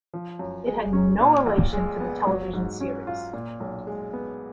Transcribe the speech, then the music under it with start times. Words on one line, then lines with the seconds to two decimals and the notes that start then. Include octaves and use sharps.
It had no relation to the television series.
0.14 F3
0.39 F#2
0.67 G#3
0.93 C#4
1.21 A#2
1.46 A#1
1.73 G#3
2.00 B3
2.27 F#3
2.53 G#2
2.81 C#4
3.07 F4
3.33 A#2
3.60 B1
3.87 G#3
4.13 B3